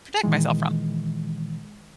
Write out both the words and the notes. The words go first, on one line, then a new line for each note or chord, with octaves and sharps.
protect myself from.
A#2 D#3 E3 G#3